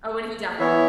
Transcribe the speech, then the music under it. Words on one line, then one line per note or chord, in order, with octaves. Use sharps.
oh, and he died.
E3 B3 E4 C#5 E5